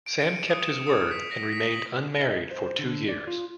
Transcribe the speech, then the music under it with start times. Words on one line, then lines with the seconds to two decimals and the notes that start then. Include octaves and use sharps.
Sam kept his word, and remained unmarried, for two years.
0.06 D7
0.21 C#7
0.36 D#7
0.50 D#6
0.64 E7
0.87 D#6
1.11 B6
1.31 A#6
1.52 B6
1.72 F#7
2.20 D#5
2.51 C5
2.79 D3
3.09 D5
3.28 F4